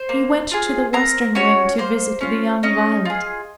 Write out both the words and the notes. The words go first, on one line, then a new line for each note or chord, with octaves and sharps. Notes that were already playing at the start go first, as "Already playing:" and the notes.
He went to the western wing to visit the young Violet.
Already playing: C5 C6
A#3
F4 G#4
C4 A#4 A#5
C#4 F#4 C#5
A#3 C5
C#4 F4
C#4 D#4 D#5
F4 G#4